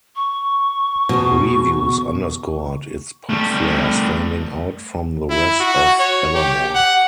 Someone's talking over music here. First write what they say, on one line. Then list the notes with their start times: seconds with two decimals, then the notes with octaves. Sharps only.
Reviews underscored its pop flair standing out from the rest of "Evermore".
0.16 C#6
1.09 E2 B2
3.29 G3 A3
5.30 E4
5.60 F#4
5.99 C#5
6.35 G4
6.75 F#5